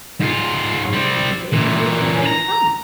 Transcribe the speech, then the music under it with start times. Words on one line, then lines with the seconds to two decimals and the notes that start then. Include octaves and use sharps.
On Tuesday, you wish you hadn't come.
0.21 G#2 F4
0.93 G3 C4
1.52 A#2 E3
2.23 B4 A#5